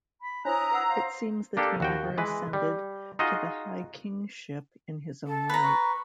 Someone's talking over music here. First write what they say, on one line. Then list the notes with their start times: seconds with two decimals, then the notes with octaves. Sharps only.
It seems that he never ascended to the high-kingship in his own right.
0.21 B5
0.45 D4 E4 C5 C#5 A#5 D#6 F#6
0.72 B4 F#5 E6
0.87 C5 F5
1.57 A#3 D4 G4 A4
1.80 D#2 F#4 G5
2.18 E3 G#3 B4
2.53 G3
3.19 D#4 F4 F#4 G#4 D#5
5.27 A4
5.49 B4 A#5
5.63 C#6